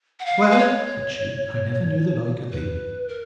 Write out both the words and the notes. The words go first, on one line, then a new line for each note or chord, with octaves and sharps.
Well, said she, I never knew the like of thee.
F#5
F5
B4
C#5
B4
A#4